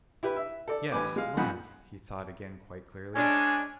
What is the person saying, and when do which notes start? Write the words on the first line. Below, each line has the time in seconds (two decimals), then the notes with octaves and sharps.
"Yes--love," he thought again quite clearly.
0.23 E4 G4 B4
0.36 E5
0.68 A4 D5
0.92 A1 A2 B4 G#5 D6
1.16 G#3 F5
1.37 F2 G#2 F3 F#5 B5
3.15 G#3 C#4 D4 G#5